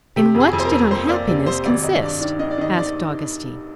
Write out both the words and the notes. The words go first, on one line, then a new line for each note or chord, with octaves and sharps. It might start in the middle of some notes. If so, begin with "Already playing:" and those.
"In what did unhappiness consist?" asked Augustine.
C3 G4
F2
G#4
F2
C5
A#4
F2
F2 C5
A#3 D5
C3 D5
C3 C5
G#1 D5
G#1 D#5
G2 D5
D#3 D5
D#3 D#5
D5
D#3 D#5
D#3 D5